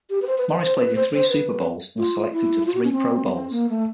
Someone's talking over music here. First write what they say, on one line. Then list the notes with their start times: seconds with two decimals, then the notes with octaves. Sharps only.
Morris played in three Super Bowls and was selected to three Pro Bowls.
0.10 G4
0.22 B4
0.27 C5
0.38 B4
0.49 B4
0.61 C5
0.78 B4
0.95 C5
1.14 C5
1.29 B4
1.98 F4
2.32 E4
2.66 F4
2.74 F#4
2.84 C#4
2.92 C4
3.25 B3
3.35 C4
3.51 A#3
3.69 A3